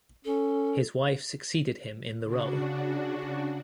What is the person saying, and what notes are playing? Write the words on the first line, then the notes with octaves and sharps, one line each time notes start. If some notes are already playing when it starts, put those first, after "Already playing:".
His wife succeeded him in the role.
C#4 A4
C#3 D4 F#4